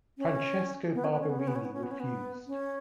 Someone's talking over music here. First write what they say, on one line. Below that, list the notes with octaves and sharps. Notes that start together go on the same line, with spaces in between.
Francesco Barberini refused.
C#4
B3
C#4
B3
C#4
B3
C#4
B3
C#4
B3
C#4
B3
C#4
B3
C#4